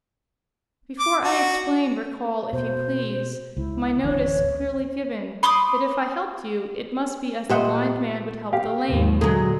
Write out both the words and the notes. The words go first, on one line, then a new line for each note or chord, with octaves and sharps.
Before I explain, recall, if you please, my notice, clearly given, that if I helped you, it must be as the blind man would help the lame.
D6
F#4
B2 C5
C#2 E4
D1 A1 E3 C#5
B5 C6 D6 D#6
A#2 G3 C5 D#5 E5 F#5
G4 F5
D#2 G#2
A#2 D3 F#3 G#3 A3